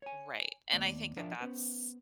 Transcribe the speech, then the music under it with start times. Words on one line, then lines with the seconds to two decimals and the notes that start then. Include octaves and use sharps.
Right, and I think that that's
0.02 C#5 G#5
0.72 D#2 A#2 A3 B3 D5
1.16 F3 D4 A#4 D5 E5 F5
1.40 B3 C#4 B4 C5